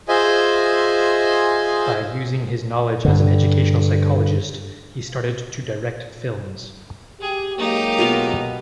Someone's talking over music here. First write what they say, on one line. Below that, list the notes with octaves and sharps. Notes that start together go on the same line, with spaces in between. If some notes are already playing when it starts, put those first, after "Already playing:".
By using his knowledge as an educational psychologist he started to direct films.
F4 G#4 C5 D#5 E5 G#5
G2 D3
G4 G#4
F#3 G#3 A#3 D#4 G4
B2 F4 F5